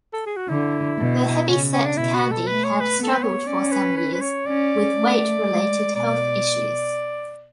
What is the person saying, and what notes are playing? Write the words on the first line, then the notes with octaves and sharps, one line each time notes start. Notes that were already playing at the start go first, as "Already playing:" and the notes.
The heavyset Candy had struggled for some years with weight-related health issues.
A4
G#4
F#4
D3 E4
B2
C#3 C#4
C#4
D4
B2 E4
F#4
A4
A3 B4
C#5
B4
B3
A4
B4
C#5
C#4 D5
B4
B4
B4
C#5
C#4 D5
A3
G#3
B2 D5